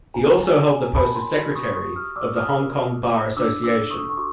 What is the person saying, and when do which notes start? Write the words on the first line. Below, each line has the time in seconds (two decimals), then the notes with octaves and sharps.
He also held the post of secretary of the Hong Kong Bar Association.
0.14 F#4 G#5 A#5
0.41 G#5 A#5
0.55 C#5
0.68 G#5 A#5
0.95 A#4 A5 B5
1.15 A#5 C6
1.35 F#4
1.55 C#6 D#6
1.75 G4 C#6 D#6
1.96 D#6 F6
2.16 D5 D6 E6
2.36 D#6 F6
2.57 A#4
2.96 G4
3.37 D4 D6 E6
3.63 D6 E6
3.77 A4
3.91 C#6 D#6
4.09 C#6
4.17 F#4 C6 D6